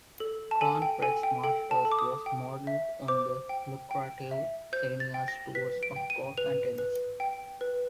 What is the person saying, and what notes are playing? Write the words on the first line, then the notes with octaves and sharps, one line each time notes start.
Grand Prix Masters was modeled on the lucrative seniors tours of golf and tennis.
A4
A5
A4 G#5
G5
A4 G#5
G5
A4 G5
A5
A4
D6
D#6
G5
E5
C5 D6
G5
G5
E5
C5 G6
A6
G5
A#6
B4 B6
D7
G5
D#7
B4 F7
B4
G5
B4